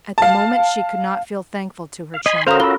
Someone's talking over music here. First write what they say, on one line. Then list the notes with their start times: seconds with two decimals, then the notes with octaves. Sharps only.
At the moment she could not feel thankful to her chum.
0.18 F5 A5
2.14 F5
2.26 D#5 G#5 B5 C6
2.47 C#4 F#4 A4 A#4 C5 F5 A#5 D#6
2.60 F4 B5 E6 G7